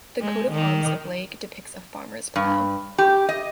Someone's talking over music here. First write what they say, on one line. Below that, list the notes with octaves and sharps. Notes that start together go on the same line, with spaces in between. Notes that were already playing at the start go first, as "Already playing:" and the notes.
The coat of arms of Lage depicts a farmer's plough.
G#3
D#3
G2
G4
D#5